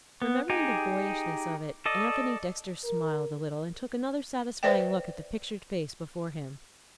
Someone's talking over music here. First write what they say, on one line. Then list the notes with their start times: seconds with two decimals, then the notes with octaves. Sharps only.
Remembering the boyishness of it, Anthony Dexter smiled a little and took another satisfying look at the pictured face before him.
0.22 B3
0.50 D#4 G4 G#4
1.86 A4 D5 D#5
2.85 A#4
4.63 B4 C5 D5 E5 G5